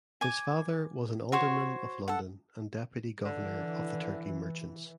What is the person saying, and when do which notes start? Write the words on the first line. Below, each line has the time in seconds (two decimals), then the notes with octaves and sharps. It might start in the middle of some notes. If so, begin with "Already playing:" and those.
His father was an alderman of London and deputy governor of the Turkey Merchants.
0.21 G#5 D6
1.32 F#4 C5 C#5
2.08 A4 F#5
3.25 D3 E3